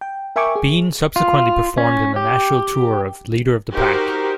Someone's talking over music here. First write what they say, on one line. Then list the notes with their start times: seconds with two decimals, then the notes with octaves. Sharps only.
Bean subsequently performed in the national tour of "Leader of the Pack".
0.01 G5
0.36 A#4 E5 G5 G#5 C#6 D6
0.56 G#4
1.16 F4
1.78 C#4
2.16 G4
3.73 D#4 F#4 G4 A#4 C5